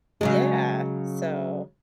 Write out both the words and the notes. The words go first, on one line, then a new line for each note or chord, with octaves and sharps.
Yeah. So,
C#3 F#3 G#3